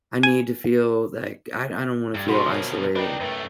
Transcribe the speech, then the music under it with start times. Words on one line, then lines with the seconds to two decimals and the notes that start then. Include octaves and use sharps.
I need to feel like I I don't wanna feel isolated.
0.23 G#5
2.15 G2 A4
2.28 B2 F3 C4 C#4 F#4 A4 B4 B5
2.52 A#4 C#5 G#5
2.96 D4 D#4 A#4 B4 D#5 G5
3.20 F#2 A3 B4 A6